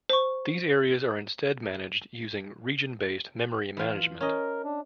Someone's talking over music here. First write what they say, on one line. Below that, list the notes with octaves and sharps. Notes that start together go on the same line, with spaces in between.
These areas are instead managed using region-based memory management.
C5 C#6
E3 F4
C#4 A#4 D#5
D4